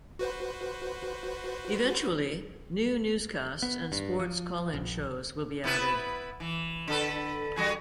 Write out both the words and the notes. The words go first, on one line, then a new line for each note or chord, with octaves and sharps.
Eventually, new newscasts and sports call-in shows will be added.
F#4 B4 C5
B3
G2
F3
A#1
B3 E4 B4
E3
D3 A4 B4
G3 F#4 G#4